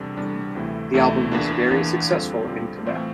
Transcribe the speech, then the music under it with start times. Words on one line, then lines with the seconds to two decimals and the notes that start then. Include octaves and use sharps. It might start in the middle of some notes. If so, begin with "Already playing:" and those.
The album was very successful in Quebec.
Already playing: E2 C3 G3 D4 A4
0.17 E2 C3 G3 D4 A4
0.55 D2 C3 E3 A3 E4
0.94 D2 C3 E3 A3 E4
1.32 E2 E3 A#3 D4
1.71 E2 E3 A#3 D4
2.09 F2 D3 G3 C4 F4
2.47 F2 D3 G3 C4 F4
2.86 A2 E3 A3 C4 F4